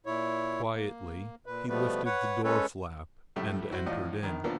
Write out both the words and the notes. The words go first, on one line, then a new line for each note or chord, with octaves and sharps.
Quietly he lifted the door-flap and entered in.
A#2 E4 C#5
A#3
A#2 B4
B2 F3 G3 A3 B3 B4
B4 C#5 F#5
G#3 C#4 A4 B4 C#5
C#2 F#2 A2 A3 G4 E5
E4 F#4 C5
E2 A2 F3 D5 D#5 F5
A#1 D#3
D2 A2 F3 A#3 B3 D4